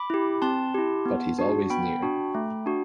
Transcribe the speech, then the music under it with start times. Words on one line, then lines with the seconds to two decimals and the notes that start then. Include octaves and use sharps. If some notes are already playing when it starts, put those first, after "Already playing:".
But he's always near.
Already playing: B5 D6
0.10 E4 G4
0.42 C4 A5 C6
0.74 E4 G4
1.06 B3
1.38 D4 F#4
1.70 B3 G5 B5
2.03 D4 F#4
2.35 A3
2.66 D4 F#4